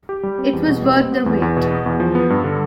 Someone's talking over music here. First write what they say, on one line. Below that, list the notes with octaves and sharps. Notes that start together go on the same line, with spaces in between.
It was worth the wait.
G4
G3
C4
E2
B2
G3
C4
B3
E2
E2
B2
B3
E2
F3
B3
G2
D3